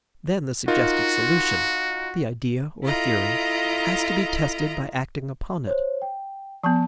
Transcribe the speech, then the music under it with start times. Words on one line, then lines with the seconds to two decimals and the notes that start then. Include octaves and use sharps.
Then the suggested solution--the idea or theory--has to be tested by acting upon it.
0.68 D#4 F4 F#4 A#4
2.83 E4 F4 A4 D#5 A#5
5.67 C5 C#5
6.02 G5
6.64 F3 B3 A5 C#6